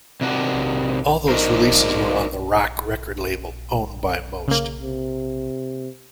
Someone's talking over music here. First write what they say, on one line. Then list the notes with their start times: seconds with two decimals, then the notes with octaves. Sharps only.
All those releases were on the Rak record label, owned by Most.
0.21 C3 D#3 D4 F#4
1.29 D4 D#4 F#4 A#4 C5
4.48 C#3 A#3
4.81 C3